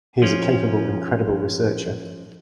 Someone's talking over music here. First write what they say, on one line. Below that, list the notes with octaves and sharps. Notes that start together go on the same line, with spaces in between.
He is a capable and credible researcher.
F3 C#4